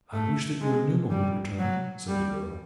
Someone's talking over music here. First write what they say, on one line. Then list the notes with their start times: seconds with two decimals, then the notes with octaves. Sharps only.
"I wish that your Numa would return," said the girl.
0.13 A3
0.61 G#3
1.10 G3
1.59 F#3
2.08 G3